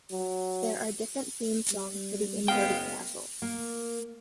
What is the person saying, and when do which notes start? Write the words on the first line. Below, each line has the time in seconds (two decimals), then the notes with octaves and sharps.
There are different theme songs for the Inverted Castle.
0.11 F#3
1.71 G3
2.48 F#1 G#3 B3 F5 G5
3.42 A#3